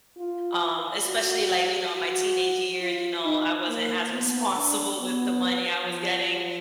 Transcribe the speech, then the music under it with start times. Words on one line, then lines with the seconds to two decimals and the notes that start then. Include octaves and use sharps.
um especially, like, you know, in my teenage years, you know, I wasn't has responsible with the money I was getting,
0.18 F4
1.06 F#4
1.94 F#4
2.81 F4
3.25 D#4
3.68 A#3
4.12 B3
4.56 D4
4.99 B3
5.87 F3